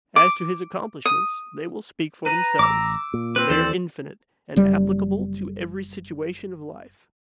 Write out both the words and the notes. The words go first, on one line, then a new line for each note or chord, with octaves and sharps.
As to his accomplishments, they will speak for themselves; they are infinite, and applicable to every situation of life.
D6
D#6
B4 A#5
A1 D6 E6
A#2
C4 B4
D#2 E3 A4 C5 D5
F#1 G3